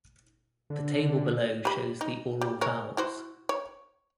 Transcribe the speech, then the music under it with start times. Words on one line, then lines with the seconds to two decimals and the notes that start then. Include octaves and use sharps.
The table below shows the oral vowels.
0.70 D3
1.65 G4 B5
2.01 D#4
2.41 G3
2.61 G#3 A#4 C#5
2.97 E4 F#4 C5
3.49 C#5